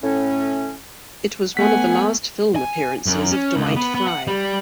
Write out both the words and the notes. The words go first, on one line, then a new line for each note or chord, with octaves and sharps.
It was one of the last film appearances of Dwight Frye.
A2 C#4
A3 B3 F#5 G#5 B6
G#5
F#2
C#4
C#2
B3
B3
F#5
G3